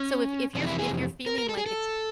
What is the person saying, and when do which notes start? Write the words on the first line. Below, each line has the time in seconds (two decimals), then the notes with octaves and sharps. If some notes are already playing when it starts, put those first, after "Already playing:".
So, if if you're if you're feeling like it's
Already playing: C#4
0.55 F2 C3 E3 D4
0.67 E4
0.79 G#4
1.26 A#4
1.38 A#4
1.49 A4
1.57 G#4
1.66 A4